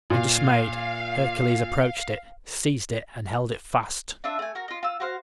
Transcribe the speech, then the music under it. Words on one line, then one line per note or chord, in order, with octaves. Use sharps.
Undismayed, Hercules approached it, seized it, and held it fast.
A#2 F5
D4 F4 E5
A3 G#5
F#4 A#4
F4 D#5
F4 E6
F#4 C5 F5